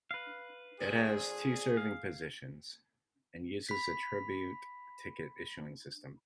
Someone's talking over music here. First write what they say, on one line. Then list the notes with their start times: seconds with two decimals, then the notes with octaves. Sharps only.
It has two serving positions and uses the Tribute ticket issuing system.
0.11 B4 F5
0.80 F2 A#2 D4 G#4
1.77 F5
3.69 B5 B6